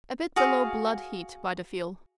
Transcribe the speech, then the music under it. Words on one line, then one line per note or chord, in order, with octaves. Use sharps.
A bit below blood-heat by the feel.
F#4 G#4 F5